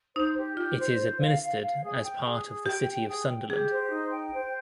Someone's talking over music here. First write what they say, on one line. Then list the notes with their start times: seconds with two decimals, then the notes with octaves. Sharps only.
It is administered as part of the City of Sunderland.
0.15 D#4 C5
0.36 G4
0.57 F4 G4
0.78 C5
0.99 C5
1.20 F5
1.41 F5
1.62 F5
1.83 G#4
2.04 G5
2.25 G#4
2.45 G#4
2.66 G4 G5
2.87 G5
3.08 G#4
3.29 G5
3.50 G4 G#4
3.71 C5
3.91 D#4
4.13 G5
4.34 C5